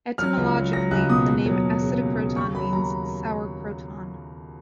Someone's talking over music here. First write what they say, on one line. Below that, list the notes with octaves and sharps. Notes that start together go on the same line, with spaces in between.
Etymologically, the name "Acidocroton" means "sour croton".
F#3 F6
C#2
F#3
F#3 A#6
C#2 F#6
B2 D#6
D#2
F#3
D#2
C#3
D#2
C#3
D#2 C#6
F#3 B5
D#2 A#5